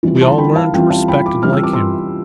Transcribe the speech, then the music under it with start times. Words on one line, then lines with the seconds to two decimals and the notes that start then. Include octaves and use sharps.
We all learned to respect and like him.
0.03 E3 G3 C4 F4
0.21 A5 C6
0.38 G5 B5
0.55 F5 A5
0.73 E3 G3 C4 F4 E5 G5
0.90 F5 A5
1.08 G5 B5
1.26 B5 D6
1.43 E3 G3 C4 F4 F6
1.53 E6
1.63 D6
1.73 C6 E6